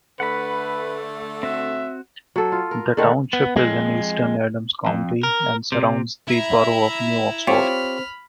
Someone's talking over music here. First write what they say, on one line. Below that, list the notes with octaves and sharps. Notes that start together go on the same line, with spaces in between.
The township is in eastern Adams County and surrounds the borough of New Oxford.
D3 A3 B4 F#5 B5
C4 F#4 E5
F#3 A4
F4
A#4
D3 D#3 A3 B4
B3
F2 G#3
F2
A#4
C3
E4 E5 A#5
C4 F4 G4 C#5 B5 F6